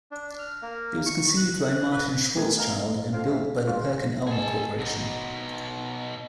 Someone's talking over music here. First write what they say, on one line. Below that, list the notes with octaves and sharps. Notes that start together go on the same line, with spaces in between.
It was conceived by Martin Schwarzschild and built by the Perkin Elmer Corporation.
D4
F6
A#3
C#6
F#6
F#6
B4
A3 B3 G4 A4 A#4 G#5
D#5 F5 A#5
F4 A4 C5 F5
E5 F5
G#3 A#3 F4
G#4 A5
B2 D#4